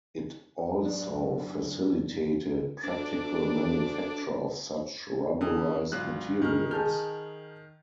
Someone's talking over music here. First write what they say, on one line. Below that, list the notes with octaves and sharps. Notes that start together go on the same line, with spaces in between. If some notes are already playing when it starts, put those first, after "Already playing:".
It also facilitated practical manufacture of such rubberized materials.
F#2 D4
D2 D4
D3 C#4 E4 D#6
G#1 D3 F#3 F4 F#6
G2 D3 D#3 G#4 F6
G#4 A5 F6 G6